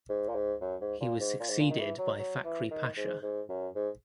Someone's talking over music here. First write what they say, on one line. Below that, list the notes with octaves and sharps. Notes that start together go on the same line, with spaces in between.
He was succeeded by Fakhri Pasha.
G#2
A#2
G#2
F#2
G#2
A#2
G#2
A#2
G#2
A#2
D#3
E3
F#3
F#3
E3
D#3
G#2
G#2
F#2
G#2